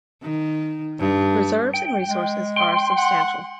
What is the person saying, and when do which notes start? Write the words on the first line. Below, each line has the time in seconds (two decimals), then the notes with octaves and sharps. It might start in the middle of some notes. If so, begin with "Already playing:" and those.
Reserves and resources are substantial.
0.23 D#3
0.99 G2
1.74 G5
2.07 G#3
2.56 G5 C6
2.97 F#5